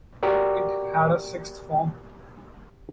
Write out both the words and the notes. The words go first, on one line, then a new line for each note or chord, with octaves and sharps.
It had a sixth form.
F#4 G4 A#4 D5